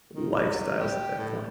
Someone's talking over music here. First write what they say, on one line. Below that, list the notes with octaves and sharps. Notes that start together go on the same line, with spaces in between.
lifestyles at that point.
D#3
F#3
F#3
G4
A2